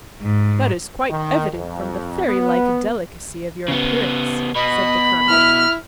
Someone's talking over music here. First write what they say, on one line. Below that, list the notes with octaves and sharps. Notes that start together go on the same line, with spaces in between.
"That is quite evident from the fairy-like delicacy of your appearance," said the colonel.
G#2
D#3
F2
B3
C#3 B3
B2 D#5 B5
E4 F6